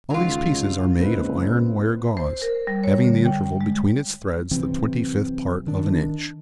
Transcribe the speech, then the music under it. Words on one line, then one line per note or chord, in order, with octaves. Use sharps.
All these pieces are made of iron wire-gauze, having the interval between its threads the twenty-fifth part of an inch.
C#2 D#3 F#3 F4
C#2 A#3 C4 D#4 B4
C5
A#4
G3
C#5
D3
G5
G#3
C3 E3 F#3 C4
D#3 D4